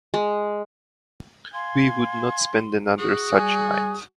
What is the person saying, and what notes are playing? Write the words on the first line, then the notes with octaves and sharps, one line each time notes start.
We would not spend another such night.
G#3
F5 G#5 C6
F#4 G#4 D#6
G3 G#5